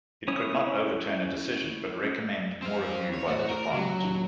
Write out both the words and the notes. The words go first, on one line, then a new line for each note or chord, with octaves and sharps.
It could not overturn a decision, but recommend more review by the department.
C#4 E4 C#5 D#6
C4 F5
C#5
A2 F#4 C5 A6
A#4
C#2 F#3 G4
A#1 D#2 D#3